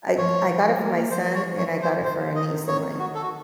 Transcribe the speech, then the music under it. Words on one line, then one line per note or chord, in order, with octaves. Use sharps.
I I got it for my son and I got it for a niece of mine,
F3 C#5
F3
A#3
F3 C5
C#5
C#5
C5
D#3 C5
D#5
C#5
F#4
A4
F#4